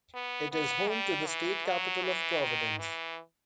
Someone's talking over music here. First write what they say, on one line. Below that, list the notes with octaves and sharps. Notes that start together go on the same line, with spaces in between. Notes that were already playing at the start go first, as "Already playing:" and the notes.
It is home to the state capital of Providence.
B3
B3
G3
E3
F#3
E3
D#3
E3